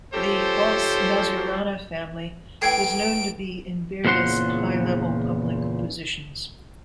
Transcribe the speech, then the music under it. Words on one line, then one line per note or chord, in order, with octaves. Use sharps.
The Oss Mazzurana Family was known to be in various high-level public positions.
F3 A3 C#4 G4 A4 C5
A2 E3 G5 G#6 C7 D7
E2 A#2 C#3 C5 F#5 C6